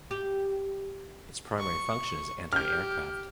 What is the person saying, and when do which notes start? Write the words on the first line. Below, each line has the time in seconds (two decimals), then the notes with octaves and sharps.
Its primary function is anti-aircraft.
0.11 G4
1.59 C#6
2.53 G4 F6 G6